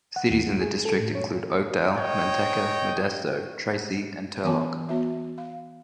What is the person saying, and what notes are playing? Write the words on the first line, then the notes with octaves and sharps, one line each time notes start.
Cities in the district include Oakdale, Manteca, Modesto, Tracy, and Turlock.
F#5
D#2
G#3
G#4
A4
A2
C#5
C#5 D#5 G5
E3 B3 C#5 G#5 A5 D6
B3 F#4 E5
F5